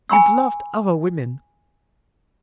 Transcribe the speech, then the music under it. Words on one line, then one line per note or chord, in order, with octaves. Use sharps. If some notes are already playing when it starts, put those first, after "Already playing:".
You've loved other women.
G#5 B5 C#6 E6